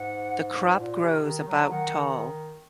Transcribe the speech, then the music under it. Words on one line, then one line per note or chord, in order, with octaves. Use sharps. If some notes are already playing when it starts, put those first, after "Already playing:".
The crop grows about tall.
Already playing: G#2 F#5
A#2
C3
D#3
F#3
D#3 F#5